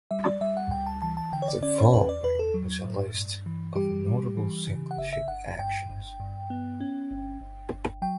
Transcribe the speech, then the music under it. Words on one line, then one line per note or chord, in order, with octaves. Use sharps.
The following is a list of notable single-ship actions.
G3 E5
D5
G3 E5
F#5
C#2 G5
A5
E3 A5
A5
D3 G5
C#5
D5
C#4 D5
C#5
E2 B4
D5
E2 B4
A4
F#3
A2
G2
E3
G3 G4
G3
E3
C#3
F#5
G1 E5
E5
G1 F#5
G2 G5
G1
G2
B3
C#4
G1
G1
G1
F#3 G5